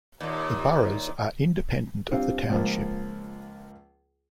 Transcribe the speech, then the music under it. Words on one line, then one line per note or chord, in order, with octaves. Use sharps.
The boroughs are independent of the township.
D#2 A#2
G3 C4 D4 F4
C#2 F3 A#3